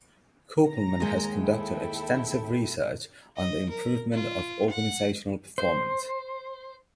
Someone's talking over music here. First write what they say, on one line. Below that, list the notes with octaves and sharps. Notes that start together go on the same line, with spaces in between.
Kopelman has conducted extensive research on the improvement of organizational performance.
A#5 A#6
D#2 G#3
E4 A4 G5
D#5
A#4
F4
F#5
C5